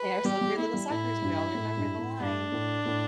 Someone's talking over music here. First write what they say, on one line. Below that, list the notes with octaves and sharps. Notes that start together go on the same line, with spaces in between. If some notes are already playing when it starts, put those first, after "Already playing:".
They are slippery little suckers. We all remember the line.
Already playing: B4
G3 G4
G3
A3 E4
G3
A2 E4
G2
A2
G2
A2
G2 D4
A2
A2